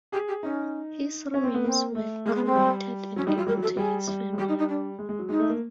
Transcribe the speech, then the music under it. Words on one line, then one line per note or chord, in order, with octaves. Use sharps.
His remains were cremated and given to his family.
G4 G#4
G4
C#4 D#4
C#4
C4
B3
A#3 C4
A3
G#3 A#3
B3
C4
G3
F#3 C#4
G3 D#4
F#3 F4
G3 A#4
F#3
A4
F#3
G3 G#4
G3
G#3
G3 G4
D#4
D#4
D4
G#3
G#3
F#3
G#3 D#4
A3
A#3